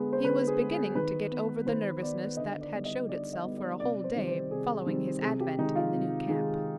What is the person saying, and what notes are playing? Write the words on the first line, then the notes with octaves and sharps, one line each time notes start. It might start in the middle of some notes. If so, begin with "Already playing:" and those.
He was beginning to get over the nervousness that had shown itself for a whole day following his advent in the new camp.
Already playing: D3 G#3 B3
C5
D3 B4
G#4
G#3 B3
G#4
D#3 B4
B3
D#3 C5
B3 D5
D3 D#5
D5
G3 B3
D#5
D3 D5
D#5
G3 B3
D5
C3 D5
C5
D#3 G3 C4
C5
C3 G#4
D#3 G3 C4
C3 G#4
G4
D#3 G#3 D#4
F4
C3
D#3 G#3